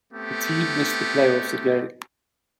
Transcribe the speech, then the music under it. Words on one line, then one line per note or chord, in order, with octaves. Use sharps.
The team missed the playoffs again.
A3 B3 C4 G4